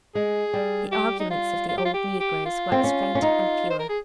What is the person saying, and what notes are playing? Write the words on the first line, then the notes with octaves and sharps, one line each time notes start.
The arguments of the old negroes waxed fainter and fewer.
G#3 G#4
G3
G4
D#4
F4
F4
G4
F4
G4
G4
F4
C4
C#4
C#4
D#4
C5
A#4
G#4